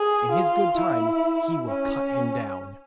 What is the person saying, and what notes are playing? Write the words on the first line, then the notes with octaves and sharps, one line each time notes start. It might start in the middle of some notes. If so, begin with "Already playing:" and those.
In His good time He will cut him down.'
Already playing: G#4
F4
E4
C#4